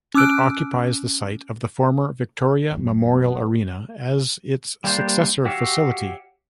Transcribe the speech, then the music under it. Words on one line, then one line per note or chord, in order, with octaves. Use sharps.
It occupies the site of the former Victoria Memorial Arena as its successor facility.
C#4 D6 E6 F#6 D7
F#1 E2
B3
G3 A#3 D4 G4 C5
F#4 G4 C#5 E5 F5